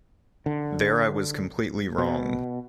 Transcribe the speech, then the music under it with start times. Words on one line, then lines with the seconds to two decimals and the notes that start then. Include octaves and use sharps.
There I was completely wrong.
0.46 D3
1.98 B2